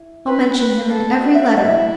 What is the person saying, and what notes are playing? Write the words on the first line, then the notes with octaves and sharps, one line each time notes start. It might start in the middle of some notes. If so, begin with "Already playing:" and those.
I'll mention him in every letter.'
Already playing: E4
B4
B4
A4
F#4 D#5
E5
F#5
D#5
E4 E5